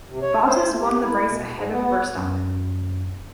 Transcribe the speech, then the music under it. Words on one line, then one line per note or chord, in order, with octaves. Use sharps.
Bottas won the race ahead of Verstappen.
C3
C#5
C5
A3
G4
E4
B2
G#2
B3
B3
F#2